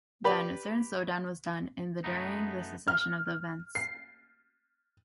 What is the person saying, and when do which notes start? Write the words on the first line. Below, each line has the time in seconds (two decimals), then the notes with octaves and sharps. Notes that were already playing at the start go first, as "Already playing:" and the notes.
Then, a certain slowdown was done in the during the succession of events.
0.24 G4 B4 D5
2.04 F#2 A3 B3 D#4
2.88 F6
3.75 C7